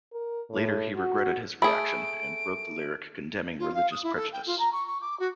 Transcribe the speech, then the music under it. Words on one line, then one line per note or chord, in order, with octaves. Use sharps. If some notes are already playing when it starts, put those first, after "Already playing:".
Later he regretted his reaction, and wrote the lyric condemning religious prejudice.
A#4
A2
F#4
A3 G#4 B5 D7
F4
F5
D#6
E4
A4
G5
F4
A#5
C#6
C#6
D6
F#4